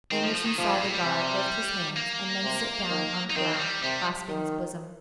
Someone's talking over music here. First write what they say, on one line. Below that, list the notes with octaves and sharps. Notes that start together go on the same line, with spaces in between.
Andersen saw the guard lift his hands and then sit down on the ground clasping his bosom.
D#3 C4
F3
F3
D#3
C3 F3
G2
A#2
G3
C3
A#3
C3
D#3
D#4
D#3 C4
A#3
G3
C3 G3
D#3